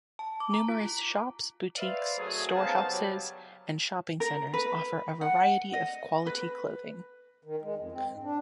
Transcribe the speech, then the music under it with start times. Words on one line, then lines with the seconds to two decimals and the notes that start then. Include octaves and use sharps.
Numerous shops, boutiques, store houses and shopping centres offer a variety of quality clothing.
0.19 A5
0.40 D6
0.53 A#5
0.68 F4
1.78 B4 C5 D5 E5 F5
2.18 F#2 F#3 A3 G#4
2.55 C#3 B3 D#4 C5 F5 A5
2.89 F#3 G3
4.20 A#4
4.54 B4
5.21 F#5
5.73 D#5
6.27 B4
7.43 D#3
7.62 G#3
7.78 F2
7.92 C4
8.11 G#2
8.23 D4